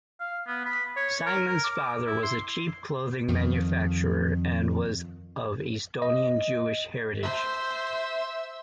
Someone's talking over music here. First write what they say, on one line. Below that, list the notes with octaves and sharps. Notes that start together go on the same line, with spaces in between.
Simon's father was a cheap clothing manufacturer and was of Estonian Jewish heritage.
F5
B3
B5
C#5
A#4
A#4
D6
E4
C6
F2 D#3
D#5
C5 E5